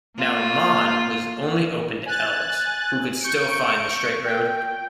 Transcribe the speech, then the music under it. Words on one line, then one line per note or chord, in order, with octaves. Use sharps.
Now Aman was only open to Elves, who could still find the Straight Road.
A#3 F4
G#5 F#6 A6
C#6 G6 C#7 D7
G5